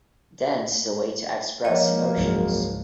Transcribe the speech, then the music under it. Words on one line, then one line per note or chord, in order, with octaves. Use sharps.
Dance is a way to express emotions.
F3 A#3 C#5 D#5
F#1 C#2 G#2